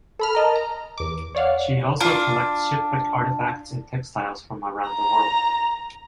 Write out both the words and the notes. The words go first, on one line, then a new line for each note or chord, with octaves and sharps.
She also collects shipwreck artifacts and textiles from around the world.
A4 B5 F6
A#4 D#5 A5
A#5
E2 D6
C#5 D5 F5 F#5
D4 F4
A#5